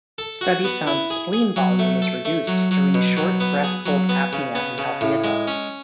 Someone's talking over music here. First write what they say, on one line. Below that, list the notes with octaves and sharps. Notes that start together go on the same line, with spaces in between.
Studies found spleen volume is reduced during short breath-hold apnea in healthy adults.
A4
F#4
B3
E4
G#4
G#4
F#3
A3
A4
A3
F#3
F#3
B2
F#3
B3
G#4
F#3
B3
C#3
B3
C#3
A2
G#3
C#4